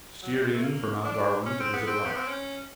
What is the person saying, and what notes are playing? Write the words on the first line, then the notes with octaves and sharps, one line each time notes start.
Steered in for Mt. Darwin to visit rock.
F#3
G3
G#3
A3
A#3
D4
C#4
C4
B3
C4
B3
C4
C#4